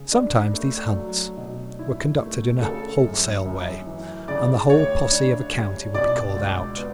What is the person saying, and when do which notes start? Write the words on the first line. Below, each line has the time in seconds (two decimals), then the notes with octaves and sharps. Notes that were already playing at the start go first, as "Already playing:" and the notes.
Sometimes these hunts were conducted in a wholesale way, and the whole posse of a county would be called out.
Already playing: C#3
0.12 D4
0.54 A3
0.96 F#3
1.37 B2
1.79 E4
2.20 A3
2.62 C#3 A4
3.04 F#2
3.46 F#2
3.87 E3
4.28 C#3 D5
4.69 D2 C#5
5.11 D4
5.53 G3
5.94 B2 D5
6.36 C#2
6.78 B3